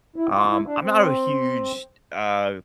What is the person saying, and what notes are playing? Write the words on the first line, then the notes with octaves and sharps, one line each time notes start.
um, I'm not a huge, t uh
E4
F4
E4
D4
C4